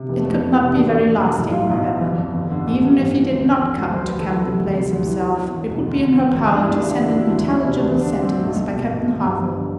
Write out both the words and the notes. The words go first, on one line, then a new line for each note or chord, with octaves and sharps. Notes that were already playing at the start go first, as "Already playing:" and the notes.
It could not be very lasting, however. Even if he did not come to Camden Place himself, it would be in her power to send an intelligible sentence by Captain Harville.
Already playing: C3
F1 B3
A3
F2 B3
E3
C3
E1 D4
E2
E1
B2
B1 E4
A2 F4
B1 E4
E3
G1
F2
G1
D3
A1
G2
A1
E3
D2
D3
D3
D2
E1 C5
D2 B4
A4
E3
B4
C3
D2
C3
D2
E3
E1
E2
E1
B2
D2
D3
D3
D2
G1 D4
E4
G2 D4
G1 E4
D4
D3 E4
D4
E1 E4
D2 D4
E4
E3 D4
E4
C3 D4
D2 D4
D3
D4
D3
C4
D2
B1 A3
B2
B2
B1
G1
G2
G1
D3